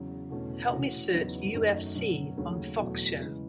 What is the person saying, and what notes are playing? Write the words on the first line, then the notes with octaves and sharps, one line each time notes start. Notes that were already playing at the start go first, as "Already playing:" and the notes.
Help me search UFC on Fox show.
Already playing: E2 C#3 F#3 C#4
E2 B2 A3 C#4
E3 A3 C#4 F#4
E2 C#3 F#3 B3 D#4
F#2 D#3 F#3 A3 D#4
B2 F#3 C#4
D#2 C#3 F#3 A3 C#4
E2 B2 F#3 A3
C#3 E3 G#3